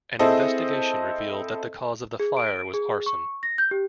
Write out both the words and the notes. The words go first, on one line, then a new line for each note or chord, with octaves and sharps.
An investigation revealed that the cause of the fire was arson.
C4 E4 G#4 A4 C5 D#5
G#4
D7
G#4
C#6
A#6
G6
G4